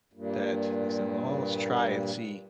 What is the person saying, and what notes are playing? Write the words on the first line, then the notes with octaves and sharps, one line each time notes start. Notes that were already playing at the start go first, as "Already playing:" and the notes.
that they said, "Well, let's try and see
G2 A#2